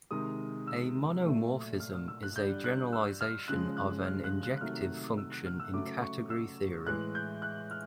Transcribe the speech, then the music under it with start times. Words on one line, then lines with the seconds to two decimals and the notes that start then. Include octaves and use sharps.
A monomorphism is a generalization of an injective function in category theory.
0.11 C3 D#3 G#3 D#6
0.67 E6
1.24 A#2 F#3 A3
1.80 F6
1.95 F6
2.08 E6
2.23 F#6
2.36 D3 G3 G6
2.64 F#6
2.93 E6
3.21 F6
3.48 C#3 F3 G#3 F#6
3.77 F#6
4.05 F6
4.24 F#6
4.43 F#6
4.56 F#6
4.61 C3 D#3 F#3 A3 F6
5.18 E6
5.32 F#6
5.46 F6
5.60 E6
5.73 C#3 F#3 A3 D6
6.02 C#6
6.30 E6
6.86 A2 E3 G#3 F#6
7.15 G6
7.42 F#6
7.71 F6